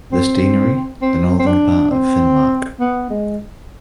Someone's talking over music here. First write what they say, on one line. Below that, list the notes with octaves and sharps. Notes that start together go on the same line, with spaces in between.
This deanery the northern part of Finnmark.
C4
C4
C4
D4
C4
B3
G#3